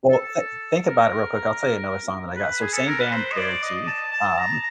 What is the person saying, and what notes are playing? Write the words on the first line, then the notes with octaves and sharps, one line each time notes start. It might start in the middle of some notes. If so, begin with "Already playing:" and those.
Well, thi think about it real quick. I'll tell you another song that I got. So same band, Beartooth, um,
A4
A#4
B4
G#4
A4
A#4
B4
C5
D#5
D5
D#5
A5
A5
A#5